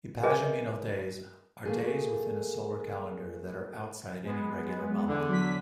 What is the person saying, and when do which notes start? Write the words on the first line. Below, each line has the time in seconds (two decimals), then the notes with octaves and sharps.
Epagomenal days are days within a solar calendar that are outside any regular month.
0.23 G#4 A#4 B4 D#5 E5 G#5
1.65 A3 A#3 G#4
4.24 G#3 B3
5.08 E2 D3
5.28 F#3 B6